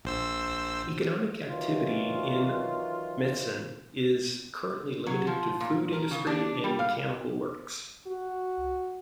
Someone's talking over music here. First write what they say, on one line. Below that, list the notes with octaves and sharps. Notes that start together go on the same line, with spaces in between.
Economic activity in Mezen is currently limited to food industry and mechanical works.
A#1 C5 E6
D#3 E3 F#3 F4
F#3
F3
A#2
A#4
C#3
D4
G3
F5
F#4